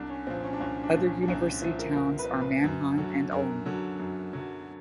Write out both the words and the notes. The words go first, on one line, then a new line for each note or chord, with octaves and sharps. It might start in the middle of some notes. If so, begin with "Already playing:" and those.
Other university towns are Mannheim and Ulm.
Already playing: C2 D4
C#4
A#2 F3 C4
C#4
D4
C2 C#4
D4
A#2 F3
C#4
D4
C2 C#4
D4
A#2 F3 E4
A#4
C2 A#4
B4
A#2 F3
B4
F#2
D3 F#3
F#2 A#4
D3 F#3
F#2
D3 F#3